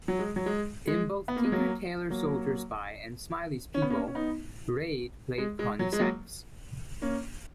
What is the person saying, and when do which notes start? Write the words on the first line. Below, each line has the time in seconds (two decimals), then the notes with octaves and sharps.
In both "Tinker Tailor Soldier Spy" and "Smiley's People" Reid played Connie Sachs.
0.08 F#3
0.19 G#3
0.36 F#3
0.46 G#3
0.87 G#3
1.28 B3
1.36 A#3
1.44 G#3
1.52 F#3 A#3
2.10 F#3 A#3
3.74 C#4
3.82 B3
3.90 A#3 C#4
4.08 C#4
4.15 B3 D#4
5.38 G#3
5.59 G#3
5.79 F#3
5.93 G#3
5.99 F#3 A#3
7.02 A#3 C#4